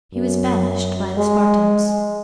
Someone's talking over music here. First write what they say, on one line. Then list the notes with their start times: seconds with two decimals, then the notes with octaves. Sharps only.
He was banished by the Spartans.
0.13 F#2
1.18 G#3